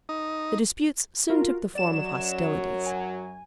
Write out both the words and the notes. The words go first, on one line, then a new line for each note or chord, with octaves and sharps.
The disputes soon took the form of hostilities.
D#4
F4 F#4 A#4
F#2 F#3 D5 E7
G#5